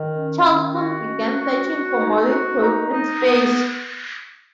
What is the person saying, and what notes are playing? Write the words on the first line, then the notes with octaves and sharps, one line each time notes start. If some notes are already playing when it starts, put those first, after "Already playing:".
Charles soon began searching for molecules in space.
Already playing: D#3
C#4
D#3
F#4
C#4
F#4
F#4
D#4
F#4
D#4
D#4
B3